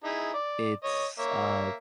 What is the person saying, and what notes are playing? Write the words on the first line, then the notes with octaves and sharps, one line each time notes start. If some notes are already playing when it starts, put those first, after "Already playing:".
it's, uh
D#4 E4 G#4
D5
C#5 D#5
A#3 C#5 E5